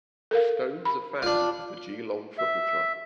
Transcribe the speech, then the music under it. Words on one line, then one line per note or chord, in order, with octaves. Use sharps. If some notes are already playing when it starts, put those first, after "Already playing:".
Stone is a fan of the Geelong Football Club.
A4 A#4 F5
B5
D4 F4
E5